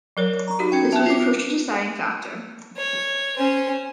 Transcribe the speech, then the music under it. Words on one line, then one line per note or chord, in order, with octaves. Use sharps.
This was a crucial deciding factor.
F#3 A#4 C#5
A#5 C#6
D#4 F#4 G4
C#4 G5
B3 E5 A5
F4 D6
C#5
C#4 C5